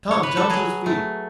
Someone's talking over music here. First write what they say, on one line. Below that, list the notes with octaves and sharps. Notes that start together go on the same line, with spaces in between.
Tom jumped to his feet.
C#5
B4
A4
F#3 G#4
A3